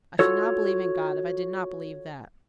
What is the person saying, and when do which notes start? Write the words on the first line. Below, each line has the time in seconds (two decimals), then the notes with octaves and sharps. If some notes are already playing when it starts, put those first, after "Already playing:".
I should not believe in God if I did not believe that.
0.19 F4 F#4 A4 C#5